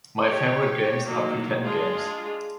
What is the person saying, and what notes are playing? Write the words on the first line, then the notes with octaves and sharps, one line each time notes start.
My favorite games are pretend games.
G4 C#5
D#3 F#3 A#3
G#3 D4 F4 G#4